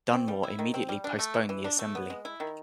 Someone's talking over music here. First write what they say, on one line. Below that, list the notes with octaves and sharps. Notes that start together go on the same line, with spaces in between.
Dunmore immediately postponed the Assembly.
C4
G3
E4
D#3
C4
G3
D4
A3
E3
E3
D4
A3
B3
G#3
E4
D#3